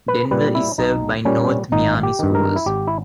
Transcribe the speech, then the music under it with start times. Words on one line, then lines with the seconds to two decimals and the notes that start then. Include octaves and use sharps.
Denver is served by North Miami Schools.
0.08 B4
0.31 A#2 G3 B4
0.55 E4
0.78 B1 D#4
1.25 A#2 G3 C#4
1.72 G#1 D#4
2.03 G4
2.19 G2 D#3
2.35 A#4
2.56 E4
2.66 G#1 G4
2.87 E4